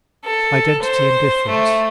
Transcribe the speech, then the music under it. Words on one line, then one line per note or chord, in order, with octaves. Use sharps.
Identity and Difference.
A4
C5
A3